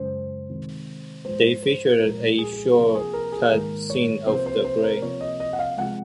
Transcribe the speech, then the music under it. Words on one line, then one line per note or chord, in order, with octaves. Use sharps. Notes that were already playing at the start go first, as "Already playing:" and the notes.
They featured a short cut scene of the grave.
Already playing: F#2 C#3 G#3 C5
C3 D#3 G#3
G#2 F3 G#3 C5
C5
A#2 F3 G#3 A#4
G#4
G#4
C3 F3 A#3 A#4
G#4
A#4
G#4
G#2 D#3 A#3 A#4
C#5
C3 F3 A#3 C5
C5
C5
A#4
C3 F3 A#3 C#5
D#5
D#5
F#5
F5
C3 F3 G#3 F#5